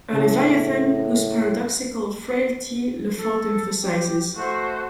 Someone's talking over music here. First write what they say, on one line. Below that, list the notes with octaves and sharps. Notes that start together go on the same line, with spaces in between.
A Leviathan whose paradoxical frailty Lefort emphasises.
A2 C#3 A5
A4
G4
A3 F#4 C5